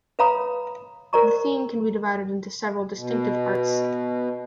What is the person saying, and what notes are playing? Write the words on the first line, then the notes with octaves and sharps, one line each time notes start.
The theme can be divided into several distinctive parts.
B4 C#5 F5 A#5 B5 D#6
A#4 C5 D5 A#5 C#6
B2